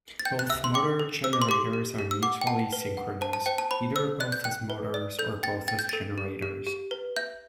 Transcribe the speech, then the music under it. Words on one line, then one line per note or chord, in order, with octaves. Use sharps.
Both motor-generators are mutually synchronous, either both as motors, or both as generators.
A6
G5 G6
F#6
E5 E6
C6
G5 D6
A4
C5 E6
D6
C6
G4 D6
G4
G4
E6
F#5 D6
G5
F#5 A5
B4
F#5
C5 A5
A5
C5 G5
A5
C5 B5
C5 E6
D5 F#6
G6
G5 F#6
B4
D5
A4 G6
G5 A6
G5 A6
G6
A4 A6
G4
G4
G4
B4
E5 G6